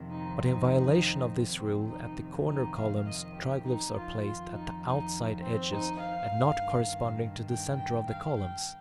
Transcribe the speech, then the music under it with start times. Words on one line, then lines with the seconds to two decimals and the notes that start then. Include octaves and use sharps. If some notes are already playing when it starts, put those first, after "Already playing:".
But in violation of this rule, at the corner columns triglyphs are placed at the outside edges and not corresponding to the centre of the columns.
Already playing: F2 C3 D#3
0.11 D#4
0.40 D#4
1.58 F2 C3 D#3 C4
1.88 D#4
2.47 D#4
2.76 F5
3.06 D#5
3.35 G4
3.64 D#4
3.94 F2 D#3 F4
4.23 F4
4.53 D#4
4.83 D#4
5.42 C4
5.71 D#4
6.00 F5
6.30 G2 D#3
7.49 G5
7.77 G5
8.08 F5
8.37 G5